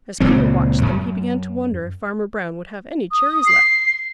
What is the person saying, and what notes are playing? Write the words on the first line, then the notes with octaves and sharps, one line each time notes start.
As Peter watched them he began to wonder if Farmer Brown would have any cherries left.
C#2 A#2 C#3 C4
F#2
D#6
C7